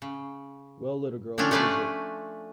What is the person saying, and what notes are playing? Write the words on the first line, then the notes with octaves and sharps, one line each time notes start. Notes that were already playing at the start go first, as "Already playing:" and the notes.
Well, little girl, what is it?
C#3
D3 F3 G3 C#4 D4
A3 C#4 D4 B4 C5 D5